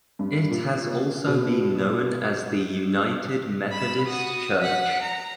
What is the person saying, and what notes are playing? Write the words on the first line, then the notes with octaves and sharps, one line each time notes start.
It has also been known as the United Methodist Church.
G2
A#2
B2
B5 E7
F#4 D#6
F#5 B6
A#5